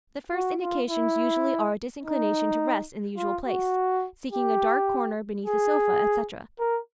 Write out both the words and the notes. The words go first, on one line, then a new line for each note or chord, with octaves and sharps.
The first indications usually are a disinclination to rest in the usual place, seeking a dark corner beneath a sofa, etc.
F#4
F4
E4
D#4
F4
F#4
G4
G#4
A#4